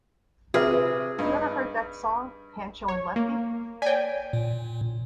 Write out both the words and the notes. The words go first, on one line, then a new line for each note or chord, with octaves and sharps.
You ever heard that song Pancho and Lefty?
C3 F4 G#4 B4 E5
G2 D#4
C#5
A#3
C#5 D5 G5 G#5
A#2